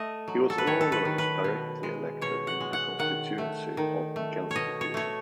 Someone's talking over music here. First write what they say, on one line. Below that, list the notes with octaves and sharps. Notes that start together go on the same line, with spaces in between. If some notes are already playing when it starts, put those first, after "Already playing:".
He was always directly elected in the constituency of Gelsenkirchen.
Already playing: A3 D#5
F#3
A4
B4
D#3 C#5
A4
B4
D#3
B4
B2
G#3
B2 C#5
F#5
G#3
F#5
D#3 F#5
A3
D#3
A3
B2 C#5 D#5
C#5
A3 C#5